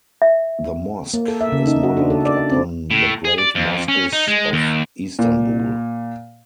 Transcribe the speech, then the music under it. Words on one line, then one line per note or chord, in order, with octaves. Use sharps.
The Mosque is modelled upon the great mosques of Istanbul.
E5
A#3
A4
E5
C#3
D#4
F#4
D4
A4
D5
C4
A2
G#4
D5
F2
C#4
D#4
G#3
D#2
A#2